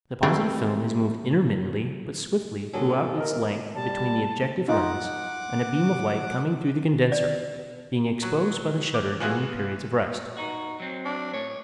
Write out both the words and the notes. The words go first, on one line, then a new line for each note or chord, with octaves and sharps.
The positive film is moved intermittently but swiftly throughout its length between the objective lens and a beam of light coming through the condenser, being exposed by the shutter during the periods of rest.
D#3 E3 F#3 G3 A3 C4
A#2 D3 F#3 G3 G#4 A4
A#4 D#5
G3 A5
D#4 F4 F#5 D6
D5
F#3
D6
E3 B3 F4 F#4 G#4
D#4 F#4
F#3 C4
D4
A2 C#5